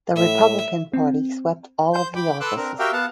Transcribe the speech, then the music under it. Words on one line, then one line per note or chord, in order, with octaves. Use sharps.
The Republican Party swept all of the offices.
A2 E5
C4
C5 G6
G5 B5 D6
A4 B4 C6 D6 E6 F#6
C4 D4 A#4
F#4 G4 A#4 E5 F5 G5
B3 F5 F#5 A5